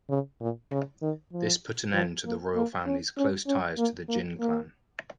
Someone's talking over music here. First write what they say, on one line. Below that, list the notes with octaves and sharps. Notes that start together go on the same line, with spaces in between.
This put an end to the royal family's close ties to the Jin clan.
C#3
A#2
C#3
D#3
F3
F3
A#3
A#3
C#4
C#4
C#4
A#3
A#3
A#3